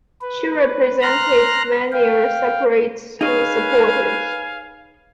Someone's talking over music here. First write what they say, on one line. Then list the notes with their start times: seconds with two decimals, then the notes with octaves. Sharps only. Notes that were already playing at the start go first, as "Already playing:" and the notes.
She represented Vanier separate school supporters.
0.22 B4
1.02 A#5 C6 F6 F#6 A#6
1.92 F5 G5
3.21 D#4 G#4 B4 C#5 F5 G#5